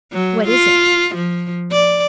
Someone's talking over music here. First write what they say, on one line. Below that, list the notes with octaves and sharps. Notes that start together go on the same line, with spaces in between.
"What is it?"
F#3
F4
F3
D5